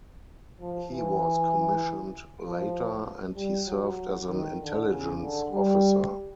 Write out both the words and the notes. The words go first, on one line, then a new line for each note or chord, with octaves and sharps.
He was commissioned later, and he served as an intelligence officer.
F3
E3
F3
G3
F#3
D#3
D3
C#3
D3
G3